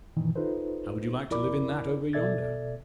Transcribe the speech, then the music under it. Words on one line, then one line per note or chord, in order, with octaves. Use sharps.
"How would you like to live in that over yonder?"
F#2 A#2 D#3 E3
D#4 F4 A4 B4 C5
F2 E4 A#4 D5 B5 D6
B2 A4 D5 E5 G#6 A6